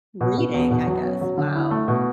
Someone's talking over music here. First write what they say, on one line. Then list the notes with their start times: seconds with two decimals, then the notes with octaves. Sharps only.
reading, I guess, wow
0.21 B2
0.38 B2
0.54 E2
0.71 B2
0.87 F#3
1.05 C#4
1.21 F#3
1.38 D3
1.55 E4
1.71 A3
1.88 B2